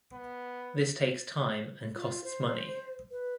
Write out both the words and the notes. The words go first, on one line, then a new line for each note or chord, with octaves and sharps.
This takes time and costs money.
B3
F4
C5
B4